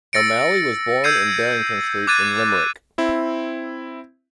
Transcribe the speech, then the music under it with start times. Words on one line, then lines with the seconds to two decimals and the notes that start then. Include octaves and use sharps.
O'Malley was born in Barrington Street in Limerick.
0.13 E6 A6 A#6 C#7 D7
1.04 E6 G6 G#6 C7 D#7
2.07 D6 F#6 G#6 A6 D#7
2.98 C4 E4